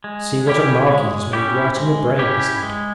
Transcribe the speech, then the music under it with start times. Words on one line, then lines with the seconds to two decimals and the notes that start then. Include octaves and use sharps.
'See what a mark he has made right in the brain,' he said.
0.04 G#3
0.47 C#4 E4 G4
0.90 G#3
1.33 C#4 E4 G4
1.76 G#3
2.19 C#4 E4 G4
2.62 G#3